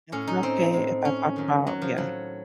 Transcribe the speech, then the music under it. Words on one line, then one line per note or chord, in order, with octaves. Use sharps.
Is it okay if I talk about yeah.
A2 C#4
D#4
C4
A2
C#4
F#2 D#3
F#3
F3
A2 F#3